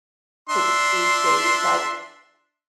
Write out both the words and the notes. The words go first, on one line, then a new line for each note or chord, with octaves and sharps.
to d these days? Like,
D4 E5 C6